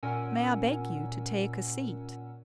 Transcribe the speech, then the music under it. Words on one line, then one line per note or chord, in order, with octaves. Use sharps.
May I beg you to take a seat?'
A#2 C#4 A#4 F#5 G#5 E6